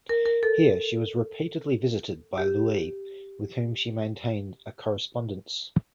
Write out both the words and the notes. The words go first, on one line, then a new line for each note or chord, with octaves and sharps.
Here she was repeatedly visited by Louis, with whom she maintained a correspondence.
A#4
A#4
A4
G4